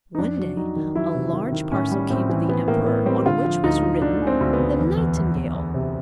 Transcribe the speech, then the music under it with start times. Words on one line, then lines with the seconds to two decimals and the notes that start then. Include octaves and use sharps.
One day a large parcel came to the Emperor, on which was written "The Nightingale."
0.15 D#4
0.19 F2 D4
0.38 F#3
0.57 F#3 D#4
0.76 D#3
0.95 F#3 E4
1.15 C3
1.33 D#3
1.52 D#3
1.72 A2 C#4
1.92 G3
2.10 A2 C4
2.29 E3
2.49 E3 B3
2.68 A2 A#3
2.86 A2 B3
3.06 G3 C4
3.26 D3 F4
3.45 F3
3.63 D2 D#4
3.82 F3
4.02 D3 D4
4.22 G#3
4.27 C4
4.40 D2
4.53 B3
4.60 D2
4.79 E2
4.97 E2
5.17 E2
5.37 E2
5.55 E2
5.74 C3